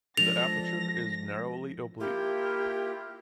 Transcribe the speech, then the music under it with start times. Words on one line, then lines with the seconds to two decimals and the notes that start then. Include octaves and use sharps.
The aperture is narrowly oblique.
0.17 F3 G#3 D4 A4 A6 A#6 F7
2.00 A#3 E4 F4 G4